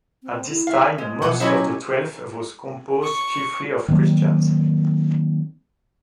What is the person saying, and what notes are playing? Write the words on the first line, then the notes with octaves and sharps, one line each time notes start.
At this time, most of the Twelfth was composed chiefly of Christians.
C4
E4
E5 F5
G#3 A3
B2 F3 F#5 G6
F#3 C#4 E4 G4 C5 C#5 D#5 B5
C#6
D#3 F#3 A#3 C4